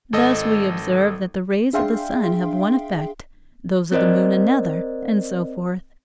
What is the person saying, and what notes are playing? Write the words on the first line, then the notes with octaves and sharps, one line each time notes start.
Thus we observe that the rays of the sun have one effect, those of the moon another, and so forth.
G#1 A4 D#5
D4 G#4 E5 F5 G5 C6
C4 A#4 C5 D5 D#5